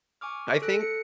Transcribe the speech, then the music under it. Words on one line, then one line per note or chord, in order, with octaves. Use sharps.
I think
G#5 C#6 D6 F6
A4 F#6 A#6
C#7